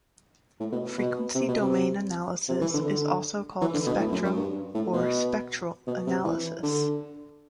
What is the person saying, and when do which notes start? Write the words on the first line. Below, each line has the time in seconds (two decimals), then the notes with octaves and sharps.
Frequency domain analysis is also called "spectrum-" or "spectral analysis".
0.60 A2
0.72 B2
0.98 B2
1.35 C3
1.48 B2
1.61 C3
2.49 C3
2.61 E3
2.74 D3
2.86 D3
3.61 E3
3.74 D3
3.87 B2
3.99 A2
4.12 F#2
4.24 F#2
4.37 G2
4.74 A2
4.93 B2
5.87 B2
6.07 C3
6.25 E3
6.63 D3